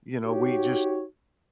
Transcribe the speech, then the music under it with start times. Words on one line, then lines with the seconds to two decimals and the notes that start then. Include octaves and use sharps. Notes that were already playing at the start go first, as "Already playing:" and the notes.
you know, we just
0.24 D#4 F#4 G4 C#5